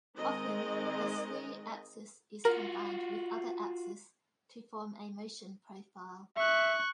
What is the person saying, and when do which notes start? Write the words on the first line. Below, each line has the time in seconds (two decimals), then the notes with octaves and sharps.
Often the slew axis is combined with other axis to form a motion profile.
0.18 D#3 G#3 C4 D#5
2.45 F4 F#4 A#4
6.37 E5 C#6 F#6